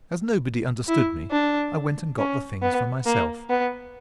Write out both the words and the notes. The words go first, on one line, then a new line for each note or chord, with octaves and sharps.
As nobody understood me, I went and got the things for myself.
E4
D4
C#4
B3
A#3
B3